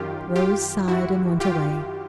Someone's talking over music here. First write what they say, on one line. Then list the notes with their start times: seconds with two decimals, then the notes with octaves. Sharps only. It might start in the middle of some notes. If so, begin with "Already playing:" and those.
Rose sighed, and went away.
Already playing: F#2 D#3 F4 G4
0.36 F4 G4
0.88 E4 F#4
1.40 F4 G4